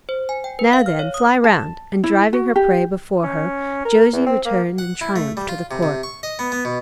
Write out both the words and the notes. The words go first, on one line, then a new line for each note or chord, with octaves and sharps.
Now then, fly round'; and driving her prey before her, Josie returned in triumph to the court.
C5
G#5
G5
B4
F5
F6
C#5
D#6
A5
E4
F#4
G4
C#4
A#4
E2
C4
A#3
F#5
E4
A3
G3
F4
C3
C3
C#6
D#5
B3
B3
B2